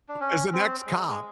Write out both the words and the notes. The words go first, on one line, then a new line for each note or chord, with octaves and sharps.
as an ex-cop,
D4
C#4
C4
G#3
G#3